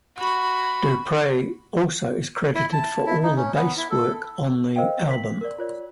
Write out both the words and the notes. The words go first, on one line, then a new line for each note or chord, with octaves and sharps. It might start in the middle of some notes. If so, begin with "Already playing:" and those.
DuPree also is credited for all of the bass work on the album.
F#4 B5
E4
A5
E4
D#4
C#4
B3
E4
A4
A#4 C5 D#5 F5 G5
B6 F#7
A#4 D5
F4 C#5 D5